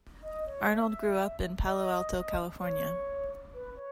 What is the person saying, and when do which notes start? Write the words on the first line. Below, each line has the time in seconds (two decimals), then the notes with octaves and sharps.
Arnold grew up in Palo Alto, California.
0.22 D#5
0.46 C#5
0.70 E5
1.64 D#5
2.59 C#5
3.53 B4
3.76 C#5